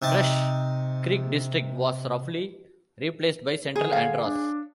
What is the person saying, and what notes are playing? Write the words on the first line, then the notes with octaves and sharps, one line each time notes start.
Fresh Creek district was roughly replaced by Central Andros.
C3 D#4 A5
D3 G#4
C#5 F5
D4